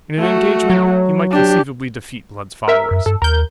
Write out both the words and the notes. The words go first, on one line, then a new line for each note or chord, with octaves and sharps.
In an engagement, he might conceivably defeat Blood's followers.
A3 F#4
F#3
D4 G4
A#4 E5
F#2
G2 A4
D#2 A#4 G6